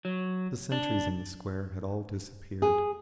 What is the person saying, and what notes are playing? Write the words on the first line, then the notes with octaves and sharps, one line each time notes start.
The sentries in the Square had all disappeared.
F#3
D4
G#4